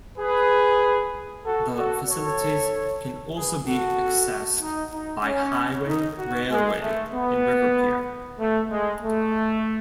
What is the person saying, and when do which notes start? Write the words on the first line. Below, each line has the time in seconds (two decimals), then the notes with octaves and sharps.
The facilities can also be accessed by highway, railway and river pier.
0.18 G#4 B4
1.44 F#4 A4
1.76 F#4 A4
2.08 A4 C#5
3.34 G#4 B4
3.65 F#4 A4
4.61 D#4
4.92 D#4
5.24 C#4
5.86 D#4
6.18 F#4
6.50 G#3
6.81 A3
7.13 B3
8.40 A3
8.71 G#3
9.02 A3